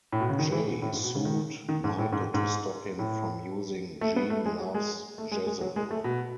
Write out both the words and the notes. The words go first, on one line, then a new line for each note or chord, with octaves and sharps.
Jay sued Michael to stop him from using Gene Loves Jezebel.
A2
B2
C#3
D#3
E3
B2
A2
G#2
B2
C#3
D#3
D#3
G#2
A2
G#2
G#2
A2
A3
B3
A3
G#3
F#3
G#3
A3
G#3
G#3
F#3
G#3
A3
B2